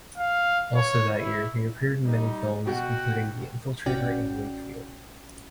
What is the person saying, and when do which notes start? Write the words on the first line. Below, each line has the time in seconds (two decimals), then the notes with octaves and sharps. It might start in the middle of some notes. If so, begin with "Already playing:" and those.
Also that year, he appeared in many films, including "The Infiltrator" and "Wakefield".
0.18 F5
0.76 C#5
1.17 E4
2.05 G3 D#4
2.67 B2 F#4 G5
3.86 A1 C#4 F#4 D5 G5